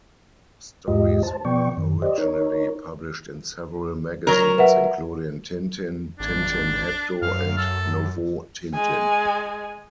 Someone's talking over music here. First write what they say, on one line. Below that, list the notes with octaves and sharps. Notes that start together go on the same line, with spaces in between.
Stories were originally published in several magazines, including "Tintin", "Tintin Hebdo" and "Nouveau Tintin".
E2 G#2 G#3 F4 G4 D#5
C5 A5
B2 F3 B3 D5 G5 C#6
F#2 D#3
G4 C5 D5 D#5
D#4 A#4 C#5
F#3 A#4
B4 E5 F#5
G#1 D4
F#2 F5
A4
G#3 G#5